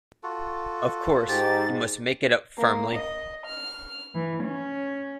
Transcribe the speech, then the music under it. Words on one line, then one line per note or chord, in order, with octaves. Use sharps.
Of course, you must make it up firmly.
F4 F#4 A4
G#2 G4 A6
A#3
D#5
F6
E3
C#4